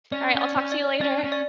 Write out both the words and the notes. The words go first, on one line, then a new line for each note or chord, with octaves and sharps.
Alright, I'll talk to you later.
C#4 D5
C#4
D5
C#4
D5
C#4 D5
C#4
D5